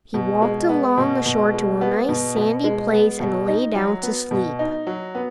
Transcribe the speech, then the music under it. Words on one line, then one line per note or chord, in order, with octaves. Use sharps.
He walked along the shore to a nice sandy place and lay down to sleep.
B2
G#3
B3
B2
B2
G#3
B3
B2
B2
G#3
B3
B2
D#4
F#3
B3
B2
D#4
F#3
B3